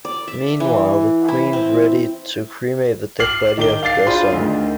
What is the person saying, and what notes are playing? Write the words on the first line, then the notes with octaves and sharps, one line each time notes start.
Meanwhile, the queen readied to cremate the dead body of their son.
D5
E5
E3
E4
C4
D6 F6 C7 F#7
D#3 D6 G7
F5 D6 A6 C7
D4 F4 G#4 C5 B5 C6
D2 D#3